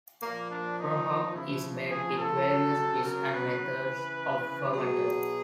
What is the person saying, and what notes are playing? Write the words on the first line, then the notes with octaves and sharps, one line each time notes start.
Prahok is made with various fish and methods of fermented.
A#2 F3 A#3
D4
D#4
C#3 F3 E4
G#4
A4
C#3 F#3
A#4
B4
C#3 E3
B2 F#3 G#4